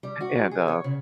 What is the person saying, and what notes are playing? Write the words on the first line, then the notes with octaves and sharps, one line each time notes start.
And, um,
G3
F#4
G#4
C#5
C#3